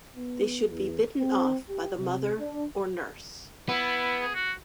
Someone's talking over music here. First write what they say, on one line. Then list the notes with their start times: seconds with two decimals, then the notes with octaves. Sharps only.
They should be bitten off by the mother or nurse.
0.17 B3
0.69 E2
1.19 C4
1.69 G4
1.98 C3
2.39 D4
3.69 B3 E4
4.21 G#4
4.34 F#4